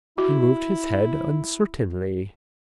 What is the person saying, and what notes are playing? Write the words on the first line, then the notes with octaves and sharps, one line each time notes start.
He moved his head uncertainly.
E4 F#4